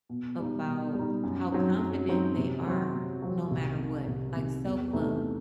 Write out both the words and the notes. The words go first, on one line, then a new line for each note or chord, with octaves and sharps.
about how confident they are no matter what, like self-love.
B2
G3 D#4
B2
G3 D#4
F#2
F#3 C4 D#4
F#2
F#3 C4 D#4
C3
F#3 C4 F#4
C3
F#3 C4 F#4
C2
C3 D#3
C2
C3 D#3
E2
C3 E3 A3 D#4